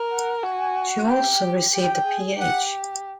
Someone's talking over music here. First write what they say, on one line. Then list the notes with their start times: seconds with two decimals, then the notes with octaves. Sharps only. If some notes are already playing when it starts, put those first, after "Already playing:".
She also received a Ph.
Already playing: A#4
0.11 F#5
0.43 F#4 G#5
1.09 G4 G5
1.74 G4 G5
2.06 G#4
2.38 G4 F#5